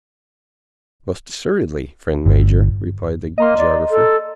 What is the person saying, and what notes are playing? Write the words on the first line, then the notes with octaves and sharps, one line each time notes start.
"Most assuredly, friend Major," replied the geographer.
G1
A#3 D#5 A#5 C6
D5
A4